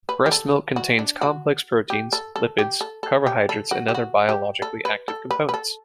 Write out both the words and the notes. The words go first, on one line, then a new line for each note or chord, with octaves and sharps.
Breast milk contains complex proteins, lipids, carbohydrates and other biologically active components.
B4
G4
A4
F#4
D4
F#4
G4
A4
A4
G4
A4
A4
G4
A4
F#4
G4
F#4
G4
A4
B4
A4
B4
B4
A4